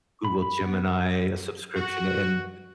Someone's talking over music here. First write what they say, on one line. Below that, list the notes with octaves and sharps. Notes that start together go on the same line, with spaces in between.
Google Gemini subscription, and
B5
B5
B3
F#4